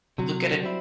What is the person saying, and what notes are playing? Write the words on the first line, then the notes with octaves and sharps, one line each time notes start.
look at it
C3 F#3
G3 C4 E4